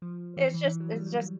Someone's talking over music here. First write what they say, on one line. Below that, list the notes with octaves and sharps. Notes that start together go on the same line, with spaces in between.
it's just it's just
F3
E3
E3
E3
F#3
G3
F#3